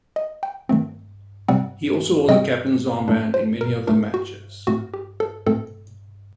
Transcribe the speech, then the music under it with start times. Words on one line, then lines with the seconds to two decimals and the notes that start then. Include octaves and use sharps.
He also wore the captain's armband in many of the matches.
0.16 D#5
0.43 G5
0.69 D#3 A3 C4
1.48 C3 G3 C4 F#5
2.28 C3 G3 C4 D#5
3.08 A2 A3 D4
3.34 C5
3.61 A#4
3.87 A2 A3 D4 A#4
4.14 F#4
4.67 A2 A3 C4 F#4
4.94 G4
5.20 A4
5.47 A2 A3 C4 A4